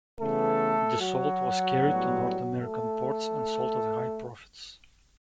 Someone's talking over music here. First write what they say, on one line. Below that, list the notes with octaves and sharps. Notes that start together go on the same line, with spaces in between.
This salt was carried to North American ports and sold at high profits.
C#3 E3 A3 B3 A4
F#3 F#4
A2 G3 B3
A3 A4